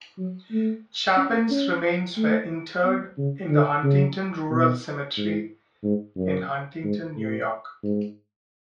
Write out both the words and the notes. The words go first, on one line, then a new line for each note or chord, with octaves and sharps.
Chapin's remains were interred in the Huntington Rural Cemetery in Huntington, New York.
F#3
A3
C#4
C#4
A3
B3
C#3
D3
C#3
B2
G#2
G#2
F#2
G#2
A2
G#2